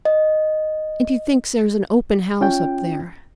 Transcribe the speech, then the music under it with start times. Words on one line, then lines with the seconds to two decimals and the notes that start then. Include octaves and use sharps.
"And he thinks there's an open house up there."
0.05 D#5
2.41 C#4 F4 G5